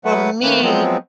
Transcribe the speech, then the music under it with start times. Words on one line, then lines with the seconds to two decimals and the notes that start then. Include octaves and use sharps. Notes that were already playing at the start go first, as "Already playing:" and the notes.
for me,
0.05 F#3 A3 B4 F#5
0.42 D#3 A3 A#3 B4
0.61 F3 F#3 G#3 B3 C4